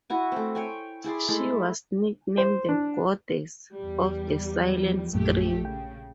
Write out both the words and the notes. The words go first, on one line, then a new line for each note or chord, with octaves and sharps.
She was nicknamed "The Goddess of the Silent Screen".
E4 F#4 G#5
A3 C4
C#5 G5 G#5
E4 G#4 D5 C6
G#3 A3 E4 A4
C5
D4
E2 G3
F3
A#1 F#2 A#2 A3 G4
C#3 G5